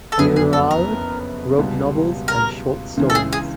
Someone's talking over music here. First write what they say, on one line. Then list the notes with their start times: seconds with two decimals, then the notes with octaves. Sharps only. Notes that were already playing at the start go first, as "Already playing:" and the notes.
Girouard wrote novels and short stories.
0.12 A4
0.18 F#1 F2 D3 F#3 B3 G#4
0.36 G#4
0.53 A4
0.71 A#4
1.59 C#2 B2 G3
2.28 A#4
2.97 C#2 C#3 E3
3.10 A4
3.15 G#4
3.33 G#4